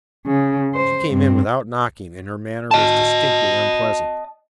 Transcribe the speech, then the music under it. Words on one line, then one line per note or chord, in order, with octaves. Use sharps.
She came in without knocking, and her manner was distinctly unpleasant.
C#3
C5
G2 C4
D#5 A5